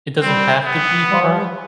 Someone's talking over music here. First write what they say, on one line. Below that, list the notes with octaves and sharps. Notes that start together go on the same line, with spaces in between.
It doesn't have to be hard
G3 C4
B3
G3
E3
F3